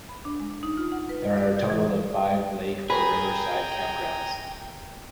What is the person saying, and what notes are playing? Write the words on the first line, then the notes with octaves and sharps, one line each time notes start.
There are a total of five lake or river side campgrounds.
B5
D4
G#3
D#4
F4
F#5
B4
D5
G6
E3
G#4 B4 G5 G#5 A#5